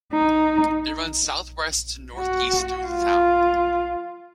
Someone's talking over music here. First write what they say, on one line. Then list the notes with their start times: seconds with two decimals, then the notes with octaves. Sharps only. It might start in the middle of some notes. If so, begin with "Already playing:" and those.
It runs southwest to northeast through the town.
0.13 D#4
2.17 F#4
2.86 F4